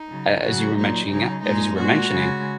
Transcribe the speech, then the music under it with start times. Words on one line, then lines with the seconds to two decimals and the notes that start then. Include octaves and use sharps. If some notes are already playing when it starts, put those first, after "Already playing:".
a as you were mentioning, uh, a as you were mentioning,
Already playing: D#4
0.10 C#3 F#3
0.43 C#3 F#3 F#4
0.77 A#2 F#3 D#4
1.11 C#3 F#3 D#4
1.43 A#2 G#3 D#4
1.77 A#2 G#3 F#4
2.11 C#3 G#3